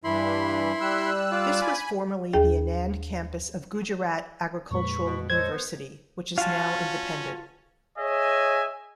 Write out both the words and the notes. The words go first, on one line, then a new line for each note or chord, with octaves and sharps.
This was formerly the Anand Campus of Gujarat Agricultural University, which is now independent.
G2 E3 E4 B5 C6
G3 E6 F#6
F4 D5
G#5 B5
D#2 G#4 G5
F2 A#2 G#3 B4 C#6
B2
A4 C5 C#5 D#5 G#6
B3 C5
C#4 F4 F#4 F5 A5
G#4 C#5 D#5 E5 G#5